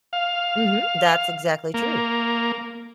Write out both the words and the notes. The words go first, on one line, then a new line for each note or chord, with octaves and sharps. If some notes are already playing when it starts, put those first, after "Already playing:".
Mhm, that's exactly true.
F5
A#3